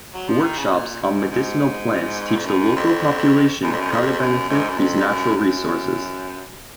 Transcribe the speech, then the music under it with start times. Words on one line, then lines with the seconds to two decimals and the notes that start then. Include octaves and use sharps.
Workshops on medicinal plants teach the local population how to benefit these natural resources.
0.14 F#3
0.29 F3
0.43 D#3
0.58 C#3
0.72 A#2
1.02 G#2
1.30 G#2
2.36 F2
2.46 F#2
2.76 F2
3.63 F#2
3.72 F2
3.80 F#2
3.90 F2
4.20 F#2
4.49 G#2
4.69 F#2
4.78 F2
5.06 F#2
5.36 F#2